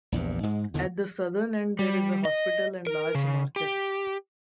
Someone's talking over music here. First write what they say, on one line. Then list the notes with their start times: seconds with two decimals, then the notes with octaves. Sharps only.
At the southern end there is a hospital and large market.
0.12 A#1 E2 G2
0.43 G#2 G#3
0.74 E2 D3 D#3
1.79 G3
2.25 D#5
2.87 A#4
3.15 C#3
3.56 G4